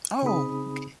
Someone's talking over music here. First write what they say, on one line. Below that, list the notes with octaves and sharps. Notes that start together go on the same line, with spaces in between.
Oh, okay.
C#3 C4 D#4 G#4 B5 D#6